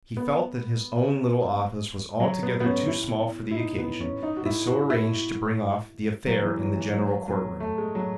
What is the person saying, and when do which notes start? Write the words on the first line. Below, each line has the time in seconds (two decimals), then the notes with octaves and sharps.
He felt that his own little office was altogether too small for the occasion and so arranged to bring off the affair in the general courtroom.
0.17 B3
2.20 F#3
2.43 B3
2.60 B3
2.66 C#4
2.87 E4
3.51 E4
3.56 D#4
3.78 B3
4.00 C#4
4.23 D#4
4.37 F#4
4.46 E4
4.67 F#4
4.90 E4
6.26 F#3
6.42 E3
6.60 F#3
6.76 E3
6.93 F#3
7.28 F#3
7.60 A3
7.78 G#3
7.95 F#3